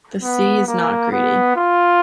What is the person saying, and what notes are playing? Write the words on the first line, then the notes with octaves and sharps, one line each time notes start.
The sea is not greedy.
B3
A#3
B3
F4